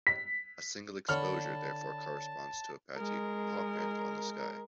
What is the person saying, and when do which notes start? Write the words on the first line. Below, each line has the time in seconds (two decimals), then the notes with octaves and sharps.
A single exposure therefore corresponds to a patchy "paw print" on the sky.
0.07 B6
1.09 D3 C#5 A5 B5 F6
2.97 G#3 A#4